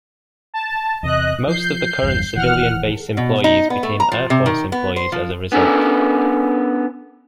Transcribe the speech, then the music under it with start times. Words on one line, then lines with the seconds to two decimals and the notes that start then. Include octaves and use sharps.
Most of the current civilian base employees became Air Force employees as a result.
0.54 A5
1.03 E2 C3 D#5 F#6
1.47 F3 G6 C7
2.02 G1 E2 G2
2.36 D#1 D#2 E3 F#5 F6
3.17 B2
3.44 D#4
3.70 B3
3.83 A3
4.00 A#5
4.12 F3
4.30 C3
4.46 D#3
4.72 B3
4.96 C5
5.12 F3
5.52 B3 C#4 D4 A4 A#4